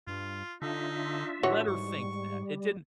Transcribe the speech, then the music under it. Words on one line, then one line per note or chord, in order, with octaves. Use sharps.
let her think that, it didn't
G2 F4
D3 D4 D#4 F4 E5
A2 E3 F#4 C#5
G#2 G3 C#6